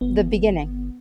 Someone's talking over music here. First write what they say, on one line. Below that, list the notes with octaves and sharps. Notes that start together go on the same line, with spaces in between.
the beginning.
G1 B3